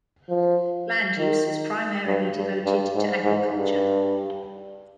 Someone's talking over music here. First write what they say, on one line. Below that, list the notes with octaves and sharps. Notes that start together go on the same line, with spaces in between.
Land use was primarily devoted to agriculture.
F3
D#3
G2
G2
G2
G#2
G#2
G2